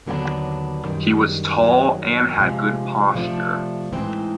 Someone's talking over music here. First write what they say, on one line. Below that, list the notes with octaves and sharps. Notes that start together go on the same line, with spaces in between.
He was tall and had good posture.
D#2 D3 F#3 B3 D4
F#2 D#3 G3
F#2 D#3 F#3
C3 F3 G#3
C3 F3 A3 D4
A2 E3 G#3 C4 D#4